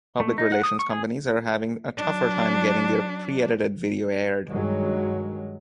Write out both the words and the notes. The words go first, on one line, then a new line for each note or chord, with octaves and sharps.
Public relations companies are having a tougher time getting their pre-edited video aired.
A3
D#4
F#5
D#6
C#6
G#4
F#3 D4
G2 D#3 F#3 G#3